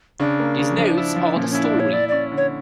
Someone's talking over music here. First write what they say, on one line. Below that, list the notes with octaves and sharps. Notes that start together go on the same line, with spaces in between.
These notes are the story.
C#3 D4
A#3
C#3
F3
E4
F3
A#2 C#4
C#4 E4
D4
A#2
C#5
E4 D5
C#4 D5
D3
C#5